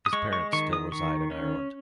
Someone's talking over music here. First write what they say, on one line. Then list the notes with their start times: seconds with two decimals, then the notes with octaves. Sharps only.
His parents still reside in Ireland.
0.06 D#6
0.13 G#3 C#6
0.33 C#6
0.53 D#3 C#6
0.73 D#6
0.92 D#3 C#6
1.31 C#4